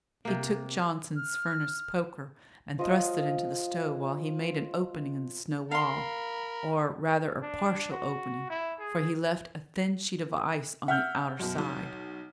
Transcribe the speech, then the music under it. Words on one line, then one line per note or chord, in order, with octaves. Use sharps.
He took Johnson's furnace-poker, and thrust it into the stove while he made an opening in the snow wall, or rather a partial opening, for he left a thin sheet of ice on the outer side.
C3 A#3
F6
F3 D#5 F5
A#4 F5 B5 C6
D4
F#4
E4
G#4
E5 F#5 F6 G6
F#2 B2
B1